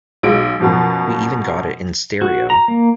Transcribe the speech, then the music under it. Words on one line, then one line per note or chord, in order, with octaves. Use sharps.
We even got it in stereo.
B1 G#3 D7
F#2 B2 F3
F#4
A#5
A#3